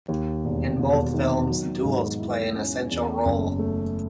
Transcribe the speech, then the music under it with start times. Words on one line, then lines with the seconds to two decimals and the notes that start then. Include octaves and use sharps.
In both films, duels play an essential role.
0.08 D#2
0.45 E1
0.80 E1
1.14 D#3
1.50 F#3
1.84 G#2
2.20 E4
2.55 C#4
2.90 E2
3.25 F#1
3.59 A3